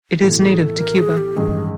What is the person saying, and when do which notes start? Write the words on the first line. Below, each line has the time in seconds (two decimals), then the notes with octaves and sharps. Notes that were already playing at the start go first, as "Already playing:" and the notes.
It is native to Cuba.
0.20 B1 A2 E3
0.40 G#4
0.60 A4
0.79 A#4
0.98 G#4
1.17 G4
1.36 A1 G2 D#3 G#3 G#4